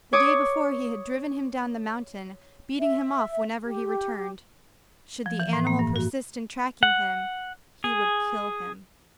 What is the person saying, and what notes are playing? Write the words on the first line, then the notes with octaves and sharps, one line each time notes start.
The day before he had driven him down the mountain, beating him off whenever he returned. Should the animal persist in tracking him, he would kill him.
C#5 D6 D#6
E5
G4
F3
E3
A2
A#3
G2
F#4
F#5
G#4